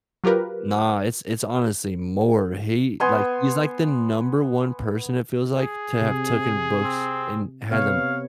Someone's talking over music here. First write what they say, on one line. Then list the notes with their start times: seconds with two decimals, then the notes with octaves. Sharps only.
Nah, it's it's honestly more he like, he's, like, the number one person it feels like to have taken books and had them,
0.24 F#3 F4 G4 A#4 B4
3.00 B3 G#5 C6
5.55 G#4
6.02 C3
6.83 C4
7.72 C3 B3 C#5 F5